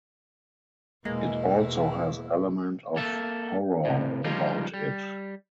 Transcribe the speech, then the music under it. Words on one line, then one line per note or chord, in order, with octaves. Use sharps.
It also has element of horror about it.
E2 B2 G#3 A#3 E4
A#3 A4 E5
A2 C3
C#2 F3 G3 D#4 F4
G3